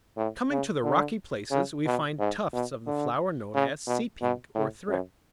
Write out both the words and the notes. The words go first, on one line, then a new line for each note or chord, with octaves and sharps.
Coming to the rocky places, we find tufts of the flower known as Sea Pink or Thrift.
A2
C#3
D3
C#3
B2
G#2
B2
D3
C#3
B2
B2
A2
F#2